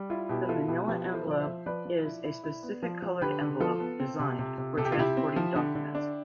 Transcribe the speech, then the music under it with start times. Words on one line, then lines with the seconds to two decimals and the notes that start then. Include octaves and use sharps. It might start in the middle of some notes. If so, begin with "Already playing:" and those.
The manila envelope is a specific colored envelope designed for transporting documents.
Already playing: G3
0.10 E4 F4
0.29 B2 E4 G4
0.42 B4
0.49 E4 F4 A4
0.68 B2 E4 G4
0.88 F3 G4 B4
1.08 E4
1.13 A4 C5
1.27 F3 D5
1.40 C5 E5
1.47 F3
1.66 F3 B4 D5
1.85 F3
2.05 E4
2.24 E4
2.44 E4
2.63 B3
2.83 F3
3.02 F3
3.21 D3 G4 B4
3.41 D3
3.60 F3 F4 A4
3.80 B3
4.00 C4
4.19 C3
4.39 C3
4.58 C3
4.78 C3 A4
4.85 G4
4.92 F4
4.97 C3 E4 G4
5.17 C4
5.36 F3
5.56 D3
5.75 D3
5.95 D4